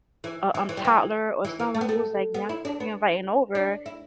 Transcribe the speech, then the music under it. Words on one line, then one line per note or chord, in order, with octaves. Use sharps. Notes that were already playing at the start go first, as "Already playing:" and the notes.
a, um, toddler or someone who's like younger you're inviting over,
E3
E3
E3
G3
E3
E3
E3
A3
B3
A3
B3
E4
D4
B3
D4
E4